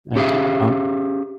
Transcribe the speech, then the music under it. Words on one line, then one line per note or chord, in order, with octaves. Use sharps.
I just don't.
C#4 G4 G#4 E5 F5